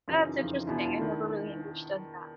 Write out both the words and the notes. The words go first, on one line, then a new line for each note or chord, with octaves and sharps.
That's interesting. I never really understood that.
F#2 C#3 E3 D#4 F4
D#4 F4
F2 C#3 E3 D#4 F4
E2 B2 D4 E4
F4
D4 E4
D#3